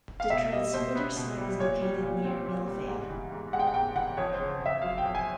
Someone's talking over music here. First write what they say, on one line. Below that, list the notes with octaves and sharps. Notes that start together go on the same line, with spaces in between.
The transmitter site is located near Millvale.
F5
B2 E5
G3 D#5
B2 C5
B3
B2
G3
A#2 C#5
G3
A#2
C4
A#2
G3
G#2
E3
G#2
G#3 F#5
G5
F#5
G#2 G5
E3 F#5
F2 C#5
C5
C#3
F2 E5
F#3 F5
G5
F2
G#5